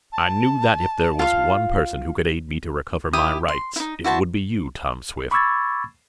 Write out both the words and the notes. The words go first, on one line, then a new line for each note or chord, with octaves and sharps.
I knew that if there was one person who could aid me to recover my rights, it would be you, Tom Swift.
A5
F4 F5
E4 G4 D#6
C6
D#4 E4
E4 F#4 C5 A5
B5 C#6 D6 E6 G#6 A6